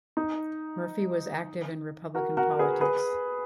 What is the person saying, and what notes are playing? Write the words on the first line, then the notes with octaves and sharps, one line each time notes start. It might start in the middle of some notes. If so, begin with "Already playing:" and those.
Murphy was active in Republican politics.
D#4
F#4 A#4
F#4 A#4
G#4 B4
G#4 B4